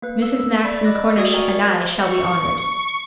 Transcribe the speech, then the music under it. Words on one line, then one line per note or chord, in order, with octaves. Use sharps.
Mrs. Max and Cornish and I shall be honored.'
A#3 B4
E6
D5 B5 D6 G#6
D#5 D6 E6 F#6 A#6
A3 F#4 D5 D#6 G#6
A#4 D5 G5 G#5 A#5 C#6
C#6